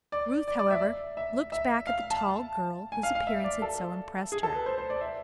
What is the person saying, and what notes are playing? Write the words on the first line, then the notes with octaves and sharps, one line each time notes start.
Ruth, however, looked back at the tall girl whose appearance had so impressed her.
D5
D5
D5
E5
E5
E5
F5
A5
G#5
F5
F5
E5
D5
A4
G#4
A4
B4
C5
C5
D5
E5